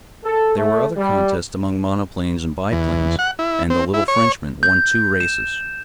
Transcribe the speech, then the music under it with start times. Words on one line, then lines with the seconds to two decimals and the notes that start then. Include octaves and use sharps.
There were other contests among monoplanes and biplanes, and the little Frenchman won two races.
0.24 A4
0.56 A3
0.96 G3
2.72 E2
3.19 F#5
3.39 E4
3.70 C4
3.94 E4
4.08 C#5
4.63 G6
5.20 E7